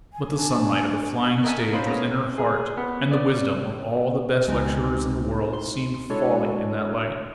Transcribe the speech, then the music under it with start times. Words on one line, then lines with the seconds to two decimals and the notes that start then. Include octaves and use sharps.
But the sunlight of the flying stage was in her heart, and the wisdom of all the best lecturers in the world seemed folly in that light.
0.13 G#5
0.37 D4
1.44 A#4 D#5 E5 F#5 G#5 A5
1.73 A#3 C#4 D#4 C5 F5 B5
1.86 A3 B3 C#4 G#4 A#4 A#5
2.38 G#4
2.77 B3
3.11 D5
4.47 C#2 G#3 C4 D#4
5.53 C6
6.10 G#3 D4 E4 F#4 A4 C#5